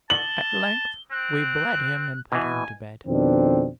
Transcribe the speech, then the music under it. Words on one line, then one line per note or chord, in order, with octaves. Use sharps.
At length we bled him and put him to bed.
A5 F#7 G7
C4 F#6
B2 E3 G#5
F2 B2 D#3 C4 D4